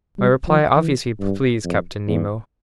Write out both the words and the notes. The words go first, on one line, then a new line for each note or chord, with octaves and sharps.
My reply obviously pleased Captain Nemo.
G3
F3
E3
G2
F2
E2